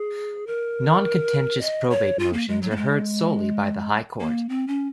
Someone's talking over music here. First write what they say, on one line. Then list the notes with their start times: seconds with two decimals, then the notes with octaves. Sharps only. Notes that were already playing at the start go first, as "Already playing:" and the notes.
Non-contentious Probate motions are heard solely by the High Court.
Already playing: G#4
0.47 A#4
1.61 D#5
1.90 C#5
2.19 F4
2.33 A#3
2.48 G#3
2.62 F#3
2.71 A#3
2.77 G#3
4.20 A#3
4.49 C4
4.68 C#4